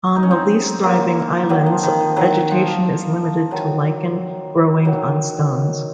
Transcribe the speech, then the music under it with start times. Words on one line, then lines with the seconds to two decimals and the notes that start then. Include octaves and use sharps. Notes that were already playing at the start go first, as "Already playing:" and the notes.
On the least thriving islands vegetation is limited to lichen growing on stones.
0.16 D#4
0.23 C#4
0.31 C4 D#4
0.83 F#3 A#3
1.49 D#3 F#3
1.66 F3
1.83 D#3
2.00 F3
2.16 D#3 F#3
2.51 F3
2.67 F3
3.51 D#3 F#3
4.85 D#3 F#3